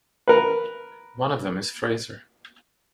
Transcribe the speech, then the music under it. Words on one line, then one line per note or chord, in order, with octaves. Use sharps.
One of them is Fraser.
A#4 B4